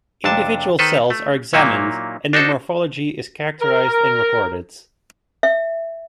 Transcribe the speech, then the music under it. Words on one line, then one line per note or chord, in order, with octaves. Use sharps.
Individual cells are examined and their morphology is characterized and recorded.
F2 C3 D4 A5
D#3 A4 B4 C5
A3
A#2 F#3 A#3 D#4 E4
D4 D#4 F#4 A4 C5
A#4
E5